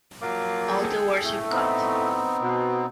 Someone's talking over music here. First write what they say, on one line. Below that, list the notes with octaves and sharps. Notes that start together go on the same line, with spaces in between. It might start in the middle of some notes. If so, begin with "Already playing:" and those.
All the words you've got.
F3 F#3 A#3 F5 D6
G#4 A4 G5
A2 A3
B3 C4 D#4
B2